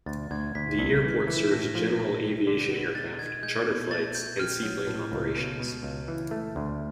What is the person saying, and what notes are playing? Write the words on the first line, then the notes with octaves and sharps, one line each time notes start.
The airport serves general aviation aircraft, charter flights and seaplane operations.
D2 A6
D2 G#6
D2 B6
C2 B6
E3
E3
A2 A#6
F3
A2
G3
D3
B3
G#3 A6
D#3 G#6
G#3 G6
B2
A3 A6
B2 G6
C4 F6
F#3
A2
C#2
B2
B2
C#2
E3
A3
D2